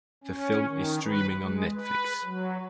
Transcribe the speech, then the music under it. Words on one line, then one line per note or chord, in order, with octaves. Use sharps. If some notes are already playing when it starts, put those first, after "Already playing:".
The film is streaming on Netflix.
C#4
D#3
B4
G#3
B4
F#3